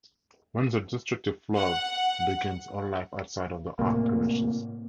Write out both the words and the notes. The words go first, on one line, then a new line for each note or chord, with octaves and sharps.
When the destructive flood begins, all life outside of the ark perishes.
F#5
A2 C3 A#3